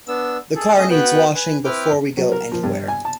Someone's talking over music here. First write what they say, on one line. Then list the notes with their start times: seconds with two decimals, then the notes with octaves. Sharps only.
The car needs washing before we go anywhere.
0.08 B3 D4 E6
0.56 G#4 A4
0.77 A3 C#4 D#5 D#6
0.90 B3 F#4 B4 G5 F#6
1.35 B4 G#5
1.65 C4 E4 B4 G5 D6 F6
2.17 F#3
2.32 A#4
2.52 F3
2.63 G2
2.88 G#5
3.05 A5